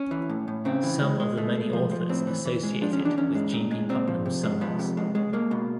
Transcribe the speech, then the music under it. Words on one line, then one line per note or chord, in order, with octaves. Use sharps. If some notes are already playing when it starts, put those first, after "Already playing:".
Some of the many authors associated with G. P. Putnam's Sons.
Already playing: C#4
E3
A2
A2
C#3 C4
E3
G#3
G#3
G#3 A3
G#3
F3
F3
A2 C4
E3
E3
G#3
F3 D4
C#4
E2
D4
E2 C#4
G#3
A#2
G#3
A#2 C4
F3
C3
G#3
F3 B3
C3
G#3
G#3
G#3 A#3
B2